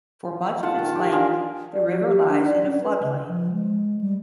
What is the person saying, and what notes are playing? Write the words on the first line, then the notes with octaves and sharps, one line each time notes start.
For much of its length the river lies in a floodplain.
F4 F#5 A5
D#3
G4
D4 F4 G#4 A#4
D5
F3
G4
D4
D5
C#4
B4
C#3
F3
G#3
G3